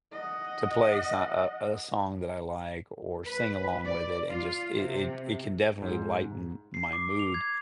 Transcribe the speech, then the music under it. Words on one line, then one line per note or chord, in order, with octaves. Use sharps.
to play so uh, uh, a song that I like or sing along with it and just it it it can definitely lighten m my mood,
D#5 F#5
B4
D5
F4
C3
G#2
C7
D6
F7
G#6